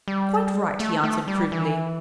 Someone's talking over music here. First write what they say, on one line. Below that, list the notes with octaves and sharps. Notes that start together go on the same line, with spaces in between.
'Quite right,' he answered, approvingly.
G3
A3
A3
G3
E3